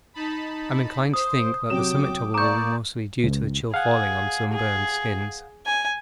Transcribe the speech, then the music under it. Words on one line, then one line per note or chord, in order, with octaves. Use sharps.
I'm inclined to think that the summit trouble will be mostly due to the chill falling on sunburned skins.
D#4 A5 B5
C5 D#6
C3 F#3 G5 D6 E7
A#3 D5 A#5 C#6 D6 G6
C#2
G#4 F5 F#5
G#4
G#5